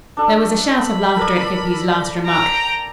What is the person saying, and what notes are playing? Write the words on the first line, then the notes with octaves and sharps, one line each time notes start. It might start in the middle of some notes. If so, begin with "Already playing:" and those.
There was a shout of laughter at Hippy's last remark.
D4 A4
B5
A4 A#4 D5
G5 A#5